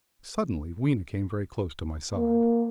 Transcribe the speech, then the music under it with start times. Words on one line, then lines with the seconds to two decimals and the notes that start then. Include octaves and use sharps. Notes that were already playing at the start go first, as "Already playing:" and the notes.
'Suddenly Weena came very close to my side.
2.15 A#3